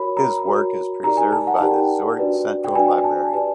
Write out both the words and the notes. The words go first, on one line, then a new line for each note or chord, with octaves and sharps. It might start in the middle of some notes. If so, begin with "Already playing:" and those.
His work is preserved by the Zurich Central Library.
Already playing: F#4 A#4 C#5 B5
A#5
F#4 A#4 C#5
D#4 G4 A#4 D5 A#5
G#5
A5
F#5
D#4 G4 A#4 D5 G5
D4 F#4 B4 D5
G5
D4 F#4 B4 D5 G#5
G#5
A5
G4 B4 D5 G#5